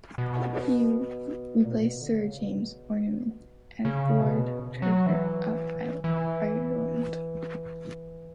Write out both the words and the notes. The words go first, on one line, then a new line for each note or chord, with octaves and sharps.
He replaced Sir James Ormonde as Lord Treasurer of Ireland.
B2
A#2
B2
D3
C#3
B2
C#3
B2
F#3
E3
E3